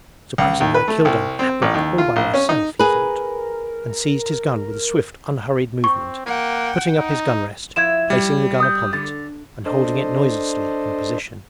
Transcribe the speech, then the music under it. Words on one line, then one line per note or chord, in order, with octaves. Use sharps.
'Supposing I killed an abrek all by myself!' he thought, and seized his gun with a swift, unhurried movement, putting up his gun-rest, placing the gun upon it, and holding it noiselessly in position.
C#2
D#2
B4
A3
C2
C4
A1
D#2
F4
A#1
C#4
D#4
G#4 A#4 B4
C4 C#6
A#3 F#5 G5
D#4
F3 E4 E5 G#6 E7
G3
D#6 G6
D3 A6
D4 A4 C5 D#5